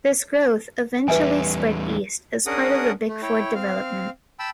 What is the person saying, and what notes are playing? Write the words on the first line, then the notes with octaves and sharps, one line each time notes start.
This growth eventually spread East as part of the Bickford development.
E2 G3 B4 E5 G#5
C#4 D4 G#4 A#4 F#5 D#6
A3
E4 C#5 G5
C4 F5
G5 A5 B5 E6